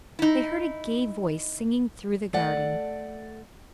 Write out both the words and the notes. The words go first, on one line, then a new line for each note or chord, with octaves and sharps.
They heard a gay voice singing through the garden.
D#4 E4
A3 D5 F#5